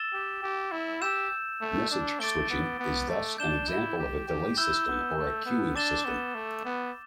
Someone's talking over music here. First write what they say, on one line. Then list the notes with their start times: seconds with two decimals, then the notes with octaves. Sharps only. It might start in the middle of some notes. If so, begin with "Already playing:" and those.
Message switching is thus an example of a delay system or a queuing system.
Already playing: E6 A6 E7 G7
0.13 G4
0.43 G4
0.72 E4
1.02 G4 E6 G6 E7
1.61 A3
1.91 D4
2.20 A3 D6 A6 D7 G7
2.50 B3
2.79 B3
3.09 A3
3.38 D4 G6 E7 G7
3.69 E4
3.98 G4
4.28 G4
4.57 E4 E6 G6 E7 G7
4.88 B3
5.16 A3
5.46 B3
5.75 D4 D6 A6 E7 G7
6.05 B3
6.35 A3
6.65 B3